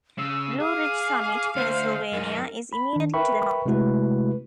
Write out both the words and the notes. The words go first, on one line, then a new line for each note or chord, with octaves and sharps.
Blue Ridge Summit, Pennsylvania is immediately to the north.
C#3 E6
G#4 F5 D6
D2 C5
F#2 D#4 A#4
B5
D#3 D4
A#4 B4 E5 G5 B5 C#6
C3 G#3 A3 E4 F#4 B4